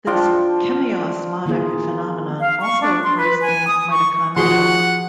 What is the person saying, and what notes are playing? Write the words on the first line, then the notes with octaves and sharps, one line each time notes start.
This chemiosmotic phenomenon also occurs in mitochondria.
F3 D4 F4 G5
D#3 A#3 B3 E4 F4 G#4
F5
C#6
D4
C6
B4
G#5
D#6
C#6
F3 F#4 G#4 F#5 C6